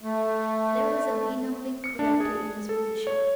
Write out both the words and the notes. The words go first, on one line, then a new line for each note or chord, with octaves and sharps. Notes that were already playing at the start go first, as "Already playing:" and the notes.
There was a benumbing cruelty in his position.
A3
C#7
D4
G#4
A4
C#5